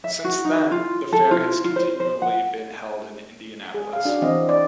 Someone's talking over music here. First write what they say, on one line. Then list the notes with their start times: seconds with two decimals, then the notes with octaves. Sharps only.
Since then, the fair has continually been held in Indianapolis.
0.04 E5
0.24 F#4
0.45 D#4
0.72 F4
1.13 A4
1.31 F4
1.65 F4
1.76 C5
2.00 C5
2.22 F#5
3.74 G#4
3.93 G#4 F5
4.05 D4 F#4
4.22 E3 C4 D#5
4.49 D5